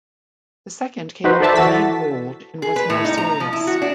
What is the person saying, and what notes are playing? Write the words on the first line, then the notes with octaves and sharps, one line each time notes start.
The second came out of the main hold and was more serious.
D#4 F#4 B4 C5
A4 C5 D5 E5 A5
E3 F#4 A4 A6 B6
G#4
B4
A2
D#4
A#5
F3
E4
F#4
D4